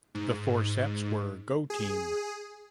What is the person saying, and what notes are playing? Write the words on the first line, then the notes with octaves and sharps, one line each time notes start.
The four sets were Go Team!
G#2
G#4